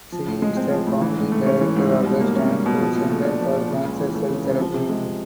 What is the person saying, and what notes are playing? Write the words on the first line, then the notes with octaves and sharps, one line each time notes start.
She is the founding director of the Stanford Center for Cancer Cell Therapy.
F3
A2
G#3
C4
F3
A2
E3
G#2
A3
C#4
E3
G#2
G3
B2
A#3
C#4
G3
B2
F3
A#2
A3
D4
F3
A#2
C#3
C#2
E3
A3
C#3
C#2
F3
C3
G#3
C3